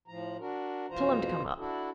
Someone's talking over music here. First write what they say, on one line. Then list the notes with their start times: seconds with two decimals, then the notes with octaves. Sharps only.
Tell him to come up.
0.08 A2 F3 A#5
0.39 D4 F#4 A#4
0.90 F2 B2 E3 F4 C5 A#5
1.58 D4 E4 F#4 A4